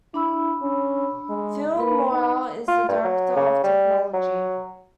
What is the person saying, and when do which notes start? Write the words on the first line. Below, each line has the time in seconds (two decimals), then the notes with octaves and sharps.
Phil Morle is the director of technology.
0.14 D4 E4 B5 E6
0.62 C#4
1.30 G#3
1.77 A#3 B4 B5
2.11 D#4
2.68 F4
2.89 G2
3.04 F#3
3.36 C#3
3.64 G3
4.14 F#3